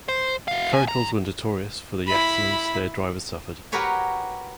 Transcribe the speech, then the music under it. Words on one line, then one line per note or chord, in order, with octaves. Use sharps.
Curricles were notorious for the accidents their drivers suffered.
C5
F#4 F5
B2 G#5
D#3 A#5
E4 B5
F#4 G4 A#4 B4 C#5 G#5